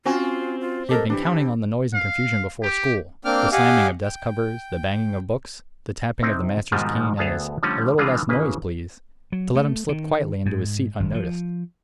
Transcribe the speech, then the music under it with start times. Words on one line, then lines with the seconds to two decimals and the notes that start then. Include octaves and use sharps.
He had been counting on the noise and confusion before school,--the slamming of desk covers, the banging of books, the tapping of the master's cane and his "A little less noise, please,"--to let him slip quietly into his seat unnoticed.
0.05 C4 C#4 F4 F#4 G#5
0.60 F4
0.89 G4 A4 A#4 D#5
1.10 E3 D4 G4
1.26 D4
1.94 F5
2.62 G4
3.25 A#3 C4 D4 G5 D6 F6
3.52 G4 D#5 F5 F#5 G#5
4.03 G5
6.22 C3 C4 D#4 E4
6.72 G#2 B2 D#3 F3 G3 G#3
7.17 D2 B3 G#4 A4 F5 A5
7.63 D3 F3 G3 A3 C#4
7.98 D3 E3 G3 G#3 F4 G#4
8.29 G1 C#3 A#3 B4
9.32 F#3
9.55 A3
9.89 D#3
10.46 G#2
11.00 G#1
11.14 F3